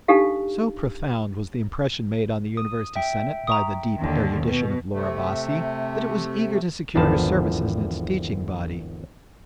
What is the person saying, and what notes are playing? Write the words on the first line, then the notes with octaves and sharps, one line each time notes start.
So profound was the impression made on the university senate by the deep erudition of Laura Bassi that it was eager to secure her services in its teaching body.
D4 D#4 G4 A4 F5
D#6
E5 G5
A#5 C#6 D#6
D#2 D3
B2
C3 A3
G#1 E2 D3 F3 B4 A5